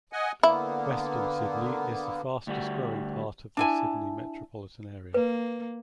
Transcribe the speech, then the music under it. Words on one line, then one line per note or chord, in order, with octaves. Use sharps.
Western Sydney is the fastest growing part of the Sydney metropolitan area.
D#5 F#5 G#5
D3 A#3 B3 E4
D2 G3 F#4
D4 E4 G#5 A5
A#3 B4